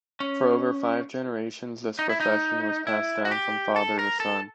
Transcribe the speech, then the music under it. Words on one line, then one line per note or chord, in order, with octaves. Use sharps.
For over five generations, this profession was passed down from father to son.
C#4
D#4
E4
D#4
E4
F#4
G4
A4
A#4
A4